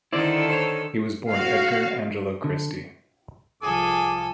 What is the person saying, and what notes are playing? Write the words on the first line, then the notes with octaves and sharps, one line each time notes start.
He was born Edgar Angelo Christy.
D3 D#3 E4 A4 C5 D5
C5 C#5
F#4 F5
D3
C2 F3 G#4 A4 G#5 D6